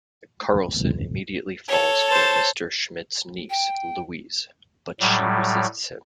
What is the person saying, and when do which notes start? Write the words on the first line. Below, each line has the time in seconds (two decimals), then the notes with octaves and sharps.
Carlson immediately falls for Mr. Schmidt's niece, Louise, but she resists him.
1.68 A4 C#5
2.09 C5 A5
3.50 G5
5.00 A2 F#3 G3